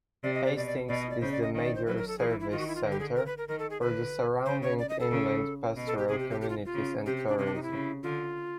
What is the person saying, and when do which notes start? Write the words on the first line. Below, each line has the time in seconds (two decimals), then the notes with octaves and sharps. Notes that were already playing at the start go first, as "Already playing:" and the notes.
Hastings is the major service centre for the surrounding inland pastoral communities and tourism.
0.23 C3 D5
0.34 D#5
0.45 D5
0.56 B2 D5
0.67 D5
0.88 B2 D5
1.00 D#5
1.10 D5
1.21 C#3 C5
1.32 D5
1.42 D#5
1.54 D#3
1.65 D5
1.75 C5
1.86 F#3 B4
1.97 A#4
2.08 A4
2.18 E3 G#4
2.30 E4
2.40 E4
2.51 D#3 F4
2.59 F#4
2.67 E4
2.75 F4
2.83 D3
2.92 G4
3.00 G#4
3.16 A#4
3.27 B4
3.38 A#4
3.48 D#3 A#4
3.59 A4
3.70 G#4
3.81 D3 B4
4.45 C#3 C5
4.62 C#5
4.79 D5
4.89 D#5
5.00 A4
5.11 C#3
5.76 B2
5.87 A4
5.98 G4
6.08 C3 G#4
6.19 G4
6.30 G4
6.41 G4
6.49 F4
6.65 F4
6.73 C#3
7.06 C3 G4
7.17 G4
7.28 D4
7.38 C3 C#4
7.46 D4
7.55 D#4
7.63 E4
7.71 C#3
8.03 D3 F4